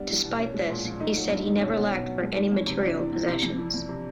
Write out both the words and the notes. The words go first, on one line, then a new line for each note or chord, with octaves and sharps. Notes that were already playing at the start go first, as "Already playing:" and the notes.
Despite this, he said he never lacked for any material possessions.
Already playing: G3 B3 D4 D5
E2
B2
C#4
G#3
A#2
F3
A3 D#4 D#5
F#3
G2
D#3
B2 C#4 C#5
B3
B2
F#3
G#3
D#3
F2
C3
E2 D4 D5
E3
E2
C3
F2
E3
F2
C3